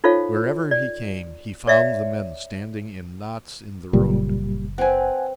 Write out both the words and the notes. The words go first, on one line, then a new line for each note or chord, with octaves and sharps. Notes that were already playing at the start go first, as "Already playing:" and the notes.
Wherever he came he found the men standing in knots in the road.
D#4 F4 A4 C5 C#5 F5
D5
C#5 D5 E5 F5
F#1 A#2 C#3 F#3 G3
C4 B4 F#5 G#5